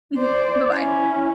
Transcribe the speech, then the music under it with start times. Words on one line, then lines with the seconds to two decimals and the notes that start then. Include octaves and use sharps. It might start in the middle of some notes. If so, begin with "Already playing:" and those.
Mhm. Bye-bye.
0.18 C5 D5
0.71 C#4 E4